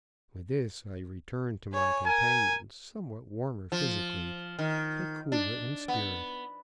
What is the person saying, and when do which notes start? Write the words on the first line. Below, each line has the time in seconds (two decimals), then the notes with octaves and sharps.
With this I returned to my companions, somewhat warmer physically, but cooler in spirit.
1.74 C#5 G#5
2.07 A#4 G#5
3.72 F3
4.59 D#3
5.32 D4
5.88 B3